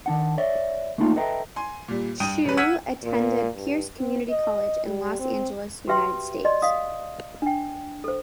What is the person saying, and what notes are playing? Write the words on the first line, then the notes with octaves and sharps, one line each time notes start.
Chou attended Pierce Community College in Los Angeles, United States.
D#3 D4 F#5
C#5 D5 E5
A3 A#3 D4 D#4 F4
A4 B4 D#5 E5 G5 A#5
G#5 C6
A#2 G3
G2 G5 D#6 D#7
E1 G3 B4
F#5 E6 F6 G#6 B6 D#7
A#2
G2
C4
D#5
G3
C4
F#4 G4 B4 E5 G5 C6
D5 D#5 C6
D#5 F5 D#6
D4 G5
A4 C5